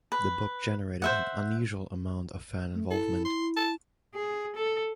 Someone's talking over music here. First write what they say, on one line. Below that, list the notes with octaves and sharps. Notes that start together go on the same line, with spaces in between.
The book generated an unusual amount of fan involvement.
B4
C5 E5 F#5
A3
E4 A4
C6
A5
G#4
A4